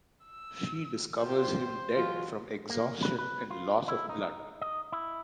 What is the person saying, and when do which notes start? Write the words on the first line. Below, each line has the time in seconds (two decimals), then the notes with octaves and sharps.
She discovers him dead from exhaustion and loss of blood.
0.25 E6
1.18 C4 F4 G4 C5
1.95 E3 F#3 G#3 F4
2.70 A#3
3.03 B4
3.19 B4
3.51 F4
3.88 E4
4.09 D#4
4.61 D#5
4.92 E4